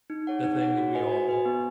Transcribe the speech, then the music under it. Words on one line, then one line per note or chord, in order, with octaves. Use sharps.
the thing that we all
D#4
G#4 C#5 F#5
D#4
G#4 C#5 F#5
F#4
B4 D#5 G#5
F#4
B4 D#5 G#5
B3